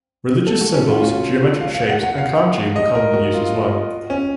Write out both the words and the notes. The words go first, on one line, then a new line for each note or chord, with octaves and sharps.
Religious symbols, geometric shapes and kanji were commonly used as well.
A4
F#4
C#4
F4
F#4
F5
F5
F#5
F#5
F5
D#5
A#4
F#4
F4
C#4